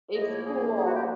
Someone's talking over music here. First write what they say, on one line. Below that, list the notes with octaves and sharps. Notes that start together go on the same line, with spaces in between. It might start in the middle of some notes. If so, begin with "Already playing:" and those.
It's cool.
A2 F3 A#3 D#5
C#5
G#4
G#4
F#4
G4